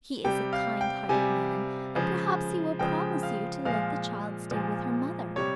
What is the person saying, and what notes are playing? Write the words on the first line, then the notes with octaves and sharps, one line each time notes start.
He is a kind-hearted man, and perhaps he will promise you to let the child stay with her mother.
C3 G3 G5
F5
G5
C3 G3 G#5
C#3 F3 G#3
C#3 F3 G#3 G5
F5
A#2 F3 G#3 F5
A#2 F3 G#3
C3 G3 C#5